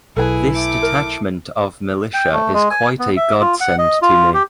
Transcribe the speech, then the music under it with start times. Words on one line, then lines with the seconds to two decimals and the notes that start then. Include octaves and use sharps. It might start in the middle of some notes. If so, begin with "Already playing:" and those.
This detachment of militia is quite a godsend to me.
0.17 B1 E4 G#4 A4 B4 G#5
0.53 A3 D6
0.82 A#4
2.14 G5
2.33 A3
2.54 G#3
2.71 G#5
2.99 B3
3.17 E5
3.41 F4
3.60 F#5
3.78 D#5
4.02 F4
4.34 G4